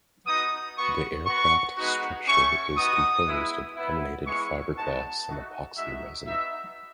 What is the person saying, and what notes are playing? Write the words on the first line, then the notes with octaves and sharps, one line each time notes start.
The aircraft structure is composed of laminated fibreglass and epoxy resign.
B3 D#4 F#4 D#6
B3 F#4 C#6
B3 F#4 C#6
G#3 B3 D#4 F#4
A3 C#4 F#4 C#6
B3 D#4 F#4 D#6
G#3 B3 E4
B3 E4
G#3 B3 E4 C#6
G#3 B3 D#4 F#4 A5
A3 D#4 F#4
G#3 D#4 F#4 E5
B3 D#4 F#4 E5